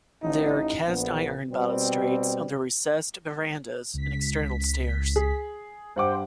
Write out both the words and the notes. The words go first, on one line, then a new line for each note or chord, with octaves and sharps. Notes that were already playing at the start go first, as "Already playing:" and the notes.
There are cast iron balustrades on the recessed verandahs and external stairs.
A1 D#4
A#1 B3
B2 G3 C4
C#2 B6
G#4
G2 C5 F#5 G5 D6